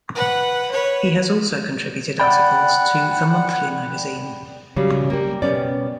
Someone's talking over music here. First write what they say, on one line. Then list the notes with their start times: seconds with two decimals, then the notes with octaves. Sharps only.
He has also contributed articles to "The Monthly" magazine.
0.15 B4 F#5
0.71 B4 C#5
2.20 D5 F#5 G5 B5 A6
4.76 C#3 F#3 G3 C#4
5.10 G3 A#3
5.42 B2 G3 B3 C#4 D5